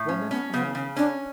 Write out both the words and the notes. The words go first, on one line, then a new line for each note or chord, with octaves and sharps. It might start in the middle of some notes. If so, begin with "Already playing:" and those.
Woman Alive!
Already playing: A2
C#4
B3 C#4
C#3 B3
C#3 C#4
C#4 D4